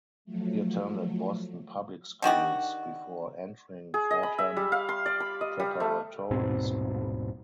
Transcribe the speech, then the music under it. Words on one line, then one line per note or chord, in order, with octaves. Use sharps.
He attended Boston Public Schools before entering Fordham Preparatory School.
F3 F#3 A3
D3 D#3 F#4 G4
G#4
D#5
B5
E5
G3
F5
C6
D5
B5
D#5
G3
A3
D#1 G#2 B2 C4